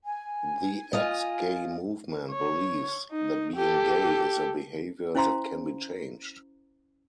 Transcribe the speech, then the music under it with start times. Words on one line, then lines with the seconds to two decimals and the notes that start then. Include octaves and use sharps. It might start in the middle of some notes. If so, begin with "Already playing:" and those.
The Ex-Gay Movement believes that being gay is a behavior that can be changed.
0.05 G#5
0.93 F4 D#5
2.31 C#5
3.11 D#4
3.56 G4 A4
5.15 C#4 E4 C5 F5 A#5 C6